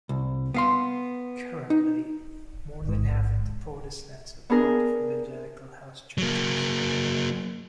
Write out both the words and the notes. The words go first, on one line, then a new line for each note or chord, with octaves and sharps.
Currently, more than half of the Protestants are part of evangelical house churches.
C2
B3 F5 C6
D#4
A1 G#2
B3 D4 G#4 A#4
F#3 A#3